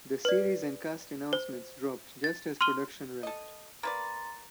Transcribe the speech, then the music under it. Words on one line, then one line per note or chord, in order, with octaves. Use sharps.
The series and cast announcements dropped just as production wrapped.
B4 D5
C5
A6
C6 F6 D#7 G7
A4 D#5
A#3 B4 D5 A#5 C6 A6